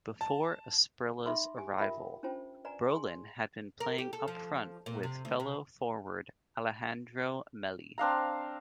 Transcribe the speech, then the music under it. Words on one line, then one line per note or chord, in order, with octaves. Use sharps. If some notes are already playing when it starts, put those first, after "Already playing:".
Before Asprilla's arrival, Brolin had been playing up-front with fellow forward Alessandro Melli.
A5
D#4 E5 A5 B5 C6 D6
G4 G#5
F4 A#4 E5 G5 B5
C#4 D4 F4 C5 G5 A5
B4 D5 F#5 G#5 A#5
G#4 G#5 C6
A#4
G4
A4
F3
A#2
C3
D2
C3
C4 D4 F5 A#5